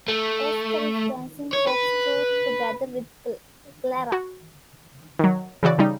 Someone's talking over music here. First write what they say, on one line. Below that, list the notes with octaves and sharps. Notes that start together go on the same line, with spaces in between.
Oscar is dancing foxtrot together with Clara.
A3
C#5
B4
F#4
D#3 F#3
C#3 E3 F#4 D5
C#3 G3 D#4